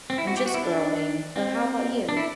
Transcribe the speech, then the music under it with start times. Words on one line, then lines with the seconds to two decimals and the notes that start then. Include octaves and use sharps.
I'm just growing, but how 'bout you?
0.10 C4
0.18 E4
0.27 F#4
0.37 G4
0.46 F#4
0.54 E4
0.64 D4
1.36 C4
2.09 D4
2.17 E4